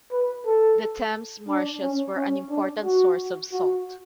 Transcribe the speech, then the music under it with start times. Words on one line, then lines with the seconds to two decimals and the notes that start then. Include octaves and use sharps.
The Thames Marshes were an important source of salt.
0.12 B4
0.46 A4
1.48 D4
1.82 C#4
2.16 C#4
2.50 D4
2.84 F#4
3.53 F#4